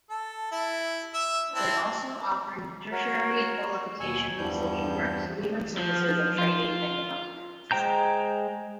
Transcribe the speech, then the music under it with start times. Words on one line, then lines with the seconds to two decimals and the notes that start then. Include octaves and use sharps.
It also offered tertiary qualifications in social work, human services and training and development.
0.10 A4
0.52 E4
1.14 E5
1.55 C4 D4 E4
2.91 F#4 A#4 C#5
4.00 D#2 B2 G#5 C#6 E6
4.38 E2 G2 F3 G3 G6
5.77 F3
6.38 F4
7.71 G#3 C5 G5 A#5 G6